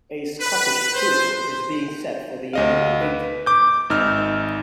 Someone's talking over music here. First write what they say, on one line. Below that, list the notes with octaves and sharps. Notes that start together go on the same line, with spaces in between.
A Scottish tour is being set for the end of April.
B4
C5
D2 D#5 F5
B4
D6 G6
G#1 D#4 E6 F6